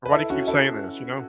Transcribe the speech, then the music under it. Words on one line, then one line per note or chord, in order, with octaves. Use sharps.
"Why do you keep saying this," you know?
B4
E4 A4
C#4 F#4
E4 A4